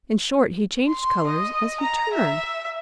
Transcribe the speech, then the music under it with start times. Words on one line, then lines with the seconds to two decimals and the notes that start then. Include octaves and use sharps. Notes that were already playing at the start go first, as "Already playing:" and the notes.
In short he changed color as he turned.
0.88 C6
1.27 D#5
1.80 A#5
2.13 E5